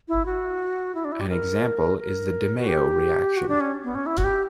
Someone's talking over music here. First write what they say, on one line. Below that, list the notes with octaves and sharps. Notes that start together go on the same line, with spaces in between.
An example is the DeMayo reaction.
E4
F#4
E4
D4
E4
G4
A#4
A#4
F#4
G4
F#4
D4
C#4
B3
C#4
E4
F#4
G4